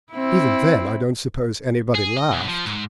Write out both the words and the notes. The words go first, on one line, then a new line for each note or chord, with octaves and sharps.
"Even then I don't suppose anybody laughed."
C4 E4
G#4
D#5
B1
F3
G#2